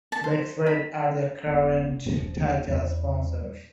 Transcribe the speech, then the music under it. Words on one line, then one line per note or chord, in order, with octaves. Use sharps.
Betfred are the current title sponsors.
A5
C5
B5
E1 B3
C3 G#3
D#1 F3
E2 G3